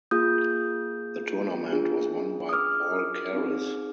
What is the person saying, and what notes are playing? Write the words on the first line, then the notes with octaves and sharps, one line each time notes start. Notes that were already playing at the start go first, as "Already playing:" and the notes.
The tournament was won by Paul Keres.
A#3 F4 G#4 D#6 G6
D4 F4 G#4
D#6
D6 F6
C4 D#4 G#4